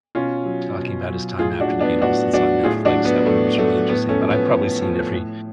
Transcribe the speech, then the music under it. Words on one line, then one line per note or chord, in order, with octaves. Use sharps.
talking about his time after the Beatles, it's on Netflix, that one was really interesting, but I've probably seen every
B2 C#4 F4
F#3
B2
F#3
A2 F4 G#4
D4 F#4
F#3
B3 D4
A2 D4 F#4
F#3 D4 F#4
A2 F4 G#4
D4 F#4
F#3
B3
A2 A3
F#3 A3
A2 B3
A3 C#4
F3
B3
A2
F3
A2